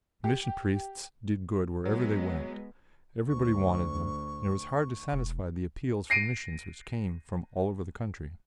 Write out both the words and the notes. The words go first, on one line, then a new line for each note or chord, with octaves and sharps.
The Mission Priests did good wherever they went; everybody wanted them, and it was hard to satisfy the appeals for missions which came from all over the country.
G4
F#3 G#3 B3
D2 C#6
E1
A#6 C7 D7 D#7